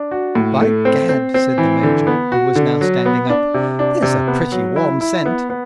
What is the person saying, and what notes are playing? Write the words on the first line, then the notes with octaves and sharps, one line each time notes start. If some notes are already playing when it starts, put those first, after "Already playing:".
"By Gad," said the Major, who was now standing up; "there's a pretty warm scent!"
Already playing: D4
F#4
A2
A3
C4
C4
C4
E3
D3
B3
F#4
D3
F#3
B3
D4
C3
D4
C3
B3
F#3
E4
E4
B3
B3